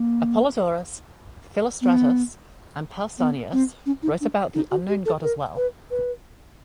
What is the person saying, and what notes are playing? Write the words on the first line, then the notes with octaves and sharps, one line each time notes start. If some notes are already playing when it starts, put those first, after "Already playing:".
Apollodorus, Philostratus and Pausanias wrote about the Unknown God as well.
Already playing: A#3
B3
B3
C4
C#4
D#4
D4
D#4
F#4
G4
A4
A#4
B4
B4